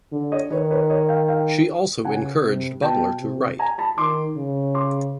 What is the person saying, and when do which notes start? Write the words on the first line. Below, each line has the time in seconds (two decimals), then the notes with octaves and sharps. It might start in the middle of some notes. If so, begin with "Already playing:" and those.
She also encouraged Butler to write.
0.12 D3
0.32 C#5 D#5
0.51 D#3 B4 C#5
0.70 B4 C#5
0.90 C#5 D#5
1.09 F5 G5
1.28 F5 G5
2.05 C#3 F#5 G#5
2.44 C3
2.82 B2 G5 A5
3.21 C3
3.59 G#5 A#5
3.78 A5 B5
3.98 D#3 C6 D6
4.37 C#3
4.75 C6 D6